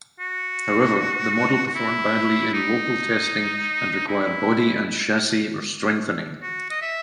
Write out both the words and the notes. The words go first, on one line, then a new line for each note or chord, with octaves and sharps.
However, the model performed badly in local testing, and required body and chassis strengthening.
F#4
F#4
E4
D#4
E4
F#4
D#5
E5